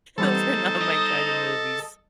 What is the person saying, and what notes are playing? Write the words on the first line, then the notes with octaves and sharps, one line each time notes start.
Those are not my kind of movies.
E3 G3 B3 D#4 A4 C5
D#5